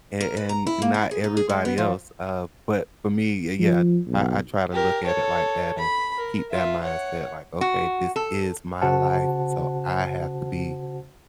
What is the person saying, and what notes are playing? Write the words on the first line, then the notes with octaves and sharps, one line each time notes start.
and and not everybody else, uh, but, for me, y yeah, I I try to look at it like that and keep that mindset like, "Okay, this is my life so I have to be
A#4
B4
A#5
E4
A#3
E4
G#4
D#4
G#4
G#3
B3
F3
F3
B1
G4 A#4
A4 C#5
B5
A#4
F4 E5
C#5 F#5
F#4
A4
C#3 F#4 C5 F#5 A5